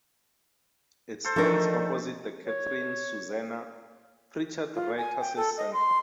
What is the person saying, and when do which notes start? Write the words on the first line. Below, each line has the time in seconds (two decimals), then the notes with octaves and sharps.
It stands opposite the Katharine Susannah Prichard Writers' Centre.
1.24 A4 C5
1.36 D#3 F3 A3 D4 A4 A#4
2.47 C#5
4.75 F4
4.97 G#5
5.20 G5
5.36 A4
5.57 D#5
5.73 C6